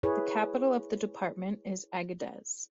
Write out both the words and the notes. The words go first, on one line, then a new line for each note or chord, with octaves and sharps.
The capital of the department is Agadez.
E4 G#4 B4 C#5